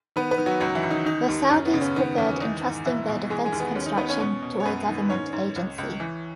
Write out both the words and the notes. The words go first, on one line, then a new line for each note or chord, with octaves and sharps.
The Saudis preferred entrusting their defence construction to a government agency.
D#3 B3 B4
B3 B4
D#3
F#3 F#4
C#2 F#3 F#4
E3 E4
C#2
D#3 D#4
D#3 D#4
D#2
F#2 C#4
B3
C#3
C#4
D#3 B3
E2 C#4
D#3 E3 D#4
G#2
B2 E3 E4
B2
E3 G#3 G#4
G#3 G#4
D#2
B3
D#2 C#4
D#3 D#4
D#3 B3 B4
C#4 C#5
B2 C#4 C#5
B2
C#5
F#2 B3 B4
D#3
G#2 C#4 C#5
G#2
C#2
C#2
E3